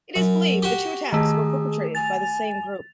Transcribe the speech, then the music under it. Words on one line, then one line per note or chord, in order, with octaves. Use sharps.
It is believed the two attacks were perpetrated by the same group.
F#2
F#4 G4
D#3 A3 G#4
G#5 A6 F7